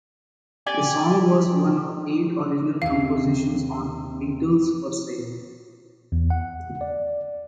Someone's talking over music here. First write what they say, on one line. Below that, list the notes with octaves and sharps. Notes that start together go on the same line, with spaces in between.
The song was one of eight original compositions on "Beatles for Sale".
G4 D5 G#5
D#2 C3 F5
E2
F#5
D5